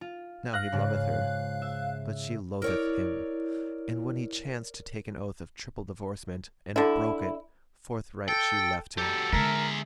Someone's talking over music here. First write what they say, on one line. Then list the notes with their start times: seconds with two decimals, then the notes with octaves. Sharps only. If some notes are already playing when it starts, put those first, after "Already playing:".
Now he loveth her, but she loatheth him; and when he chanced to take an oath of triple divorcement and broke it, forthright she left him.
0.01 F4
0.54 F5 F#6 A#6
0.72 G#2 C#3
1.62 E5
2.62 E4 A#4 C#5 D5
6.76 D3 E4
8.28 A4 G5
8.98 F#3 G4 A4
9.33 D3 G#3 G#4 A#4 E5